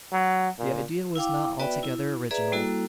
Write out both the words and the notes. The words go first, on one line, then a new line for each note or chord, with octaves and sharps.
The idea was not altogether original.
F#3
A#2
E4 F5 G5 D6
B3 F#4 B4 D5 E5 G5
E4
G#4 B4 D5 E5 A#5
G3 A#3 E4 F#4 A4